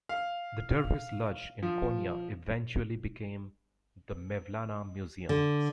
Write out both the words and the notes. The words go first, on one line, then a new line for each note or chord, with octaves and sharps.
The Dervish lodge in Konya eventually became the Mevlana Museum.
F5
F3
D3